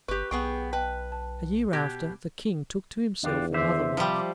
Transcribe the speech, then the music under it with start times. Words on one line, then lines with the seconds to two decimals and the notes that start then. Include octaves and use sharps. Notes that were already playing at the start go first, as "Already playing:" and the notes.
A year after, the King took to himself another wife.
0.08 G1 G4 B4 C#6
0.31 B1 B3 G#4 G5 C#6
0.73 B4 D#5 G5 A5
1.12 A5
1.73 B2 G4 F#6 G#6 A#6
3.23 E2 D4 F4 G4
3.54 D3 C5 E5
3.97 C3 F3 G3 G4